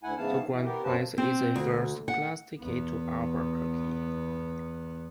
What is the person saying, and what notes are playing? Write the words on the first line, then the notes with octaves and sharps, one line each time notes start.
The grand prize is a first class ticket to Albuquerque.
D2 E4 F#5 G#5
G#2 C#3 E3 B3 F5 A5
E3
B3 G4 A#4
F#2 A#3 C4 C#4 B4 A5
C4
D2
F#5
E2 B3